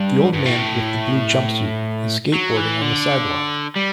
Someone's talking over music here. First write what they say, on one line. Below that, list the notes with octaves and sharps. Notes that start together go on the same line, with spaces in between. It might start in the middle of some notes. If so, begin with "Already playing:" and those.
The old man with the blue jumpsuit is skateboarding on the sidewalk.
Already playing: G2
G2
A2
F#3
E3
D3
G3